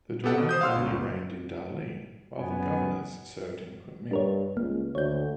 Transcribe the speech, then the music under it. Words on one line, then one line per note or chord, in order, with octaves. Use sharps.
The Duan family reigned in Dali while the Governors served in Kunming.
B3 G4 A4 F#5
B2
C5 D#6 G6
F5 F#5 C6 E6 F6
G1 C#2
F#1 F#2 B3 G#5
G2 D4 A#4 C#5
C#2 A#3
D2 C#5 G6